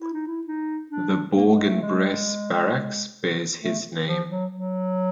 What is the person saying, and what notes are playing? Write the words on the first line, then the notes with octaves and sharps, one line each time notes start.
The Bourg-en-Bresse barracks bears his name.
E4
D#4
E4
D#4
D4
A#3
A3
G#3
A3
G#3
A3
F3
F#3
F#3